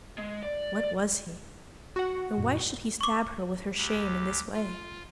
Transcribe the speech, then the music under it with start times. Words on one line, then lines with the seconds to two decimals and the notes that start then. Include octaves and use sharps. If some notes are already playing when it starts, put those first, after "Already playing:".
What was he? And why should he stab her with her shame in this way?
0.19 G#3
0.43 D5
1.96 F#4 F#5
2.38 F#2 A#2
3.01 C#6 D6
3.77 D2 G4
4.53 F4